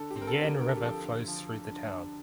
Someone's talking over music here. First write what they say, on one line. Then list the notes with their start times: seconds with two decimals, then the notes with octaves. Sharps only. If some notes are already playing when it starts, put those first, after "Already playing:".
The Yan River flows through the town.
Already playing: D3 A4
0.10 G4
0.16 C4
0.22 A#4
0.27 A4
0.38 D3
0.44 G4 A#4
0.60 D3 A#4
0.68 A4
0.77 G4
0.83 F3 A4
1.05 D3
1.28 F3
1.50 D3
1.72 D3
1.94 D3